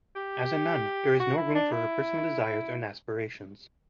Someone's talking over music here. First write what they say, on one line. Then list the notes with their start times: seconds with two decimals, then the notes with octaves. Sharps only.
As a nun there is no room for her personal desires and aspirations.
0.16 G4
1.20 F#4
1.37 E4
1.55 D4
1.72 E4